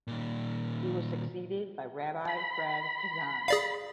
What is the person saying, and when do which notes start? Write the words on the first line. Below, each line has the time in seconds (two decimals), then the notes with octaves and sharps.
He was succeeded by Rabbi Fred Kazan.
0.07 A#2 D#3
2.28 B5
3.48 G#4 D5 F5